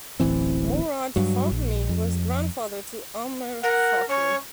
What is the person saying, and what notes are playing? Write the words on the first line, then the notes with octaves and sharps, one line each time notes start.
Mourad Fahmy was grandfather to Amr Fahmy.
D1 A1 E3 C4
G2 F#3
A#1
F2
A#4 F#5
C#4 C#5